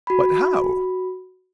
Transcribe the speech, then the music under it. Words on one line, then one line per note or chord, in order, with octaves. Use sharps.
"But how?"
F#4 B5